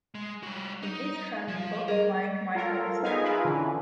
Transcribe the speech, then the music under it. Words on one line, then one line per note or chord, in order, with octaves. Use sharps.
He beats her before implying Michael is dead.
G#3
G3 F#4
D#4
F3
G#4 A#4 D#5
F4 A4 A#4
B3 D#4 G#4 D#5 F5 G#5
F4 G#4 A#4 B4 E5
D3 E3 C#4